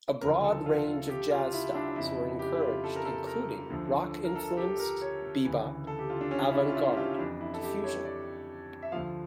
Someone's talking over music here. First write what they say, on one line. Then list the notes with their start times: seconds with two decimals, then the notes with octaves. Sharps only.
A broad range of jazz styles were encouraged including rock-influenced, bebop, avant-garde to fusion.
0.21 D2 C#3 F3 A#4
0.44 A4
0.66 F4
0.88 F4
1.10 G4
1.31 F4
1.53 E4
1.75 D4
1.96 F2 C#3 F3 E4
2.39 G4
2.55 E4
2.61 F4
2.84 A4
2.96 A#4
3.05 A4
3.27 A#4
3.70 D2 D3 F3
4.25 A#4
4.36 A4
4.57 G4
4.80 A#4
5.01 C#5
5.44 D2 C#3 E3
5.87 A4
5.99 G4
6.10 F4
6.21 D4
6.31 C#4
6.50 E4
6.53 D4
6.68 F4
6.75 E4
6.92 G4
6.97 F4
7.13 E4
7.18 F2 E3 D4
7.41 E4
7.54 A4
7.63 G4
7.84 C#5
8.05 D5
8.82 E5
8.92 D2 D3 F3 F5